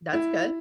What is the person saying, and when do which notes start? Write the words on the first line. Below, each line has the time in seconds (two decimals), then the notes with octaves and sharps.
That's good.
0.13 E4